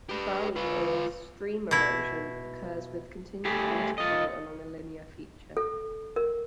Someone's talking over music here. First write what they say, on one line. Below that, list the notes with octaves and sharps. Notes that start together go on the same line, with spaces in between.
"Valley" or "stream erosion" occurs with continued water flow along a linear feature.
G4 B4
F4 B4
B2 E4
A3 E4 G4 G#4
F4 D#5
A4
A#4